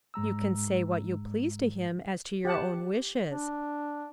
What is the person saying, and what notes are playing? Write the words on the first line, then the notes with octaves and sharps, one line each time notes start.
You can say what you please to him as to your own wishes.
G#2 G#3 A#5 E6
G4 F#5 A5
D4